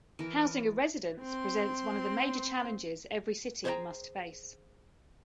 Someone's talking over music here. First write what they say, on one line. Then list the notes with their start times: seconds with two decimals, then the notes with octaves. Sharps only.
Housing of residents presents one of the major challenges every city must face.
0.19 E3 A#4
1.21 C4 C6
3.65 G#4 C5 C#5 E5 G5 A#5